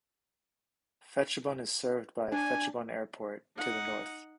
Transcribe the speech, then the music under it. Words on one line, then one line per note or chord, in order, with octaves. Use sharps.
Phetchabun is served by Phetchabun Airport, to the north.
D4 G#5
D#4 F#5